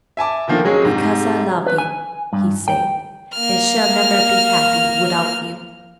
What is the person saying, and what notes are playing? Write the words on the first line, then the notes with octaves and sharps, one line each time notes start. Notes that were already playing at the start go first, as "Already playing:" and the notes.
"Because I love you," he said, "and shall never be happy without you."
E5 G#5 A5 D6
D3 D#3 F3 A#3
F#3 G#3 C#4 G#4
G#2 C3
B4
G#5
G2
G5
A#3 F6